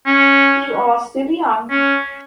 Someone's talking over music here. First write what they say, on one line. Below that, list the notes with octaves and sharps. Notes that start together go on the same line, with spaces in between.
You are still young.
C#4
C#4